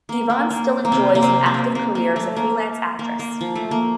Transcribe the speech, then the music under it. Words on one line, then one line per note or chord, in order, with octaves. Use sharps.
Yvonne still enjoys an active career as a freelance actress.
A#3
A#3
A#3
A#3
C3 C4
A#3
C3 C4
C4
A#3
A#3
A#3
A3
A#3
A#3
A#3
F3
A3
A#3